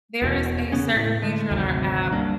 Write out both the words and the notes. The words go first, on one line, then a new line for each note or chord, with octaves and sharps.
there is a certain feature on our app,
E1 E2 B2
C#3 B3 C#4
A2
D3 G#3 A3
G#1 D2 C3 F#3
G3 A#3 D4